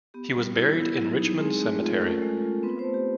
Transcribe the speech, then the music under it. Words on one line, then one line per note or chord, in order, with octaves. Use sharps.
He was buried in Richmond Cemetery.
B3 G4
G3
E4
B3
F#3
D#4
G#3 C4 G#4
A3
F4
A#4
A3 C#4 A4
G#3
F4
B3 C4 B4
A3 C4 C5
G4